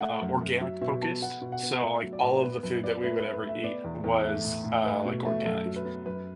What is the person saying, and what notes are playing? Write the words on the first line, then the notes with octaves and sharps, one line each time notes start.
uh, organic-focused, so, like, all of the food that we would ever eat was, uh, like, organic.
A3 F#5
F#2
F#2
F#3 E5
B2 E5
B3 A5
B3 F#5
B2
F#5
B3
A3 E5
F#3
D5
A2
B3 B4
F#2 B4
B3 D5
A3 B4
B4
A3
B4
A3 E5
B3 D5
E2
E2
A3
A2
A2
A3 B4
B2
A3
F#2 A4
F#3
B4
B3
F#2 B4